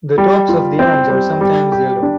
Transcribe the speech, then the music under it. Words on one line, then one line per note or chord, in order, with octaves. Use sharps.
The tops of the arms are sometimes yellow.
G3
F4
C4
G3
G3
G4
D4